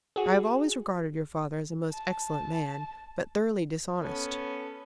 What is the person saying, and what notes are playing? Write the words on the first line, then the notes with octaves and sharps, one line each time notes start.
I have always regarded your father as a most excellent man, but thoroughly dishonest.
F#4 G#4
A5
B3 C#4 A4